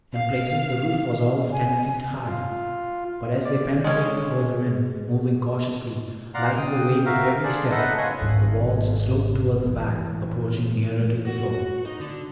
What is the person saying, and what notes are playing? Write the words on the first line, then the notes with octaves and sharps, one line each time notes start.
In places the roof was all of ten feet high. But as they penetrated further in, moving cautiously, lighting the way with every step, the walls sloped toward the back, approaching nearer to the floor.
F5
G#5
F4
D5
G#3 C#4
D5 F5 F#5 A#5 C6
G5 D#6
F#4 A#4 E5 F5
G#4 A4 C5 D5
D#4 A4 B4 D#5 E5 F#5
F4 C#5 D#5 F#5 G#5 C6
G#1 G#2
E3
F#4
D#4
D3